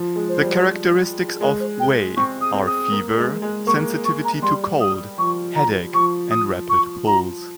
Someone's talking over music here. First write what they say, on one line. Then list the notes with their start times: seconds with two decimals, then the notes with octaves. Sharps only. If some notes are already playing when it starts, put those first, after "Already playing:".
The characteristics of "wei" are fever, sensitivity to cold, headache, and rapid pulse.
Already playing: F3
0.16 G#3
0.29 C5
0.41 G3
1.41 G#3 A#4
1.60 C5
1.80 G5
2.17 C4 C#6
2.41 D#6
2.54 C4
2.67 D#6
2.92 A#3
3.17 G#3
3.42 G#3
3.67 A#3 C#6
4.05 C#6
4.25 A#5
4.42 G3 C6
4.81 D#6
5.18 F3 C#6
5.55 A#5
5.94 F3 C#6
6.31 D#6
6.69 C#6
7.07 A#5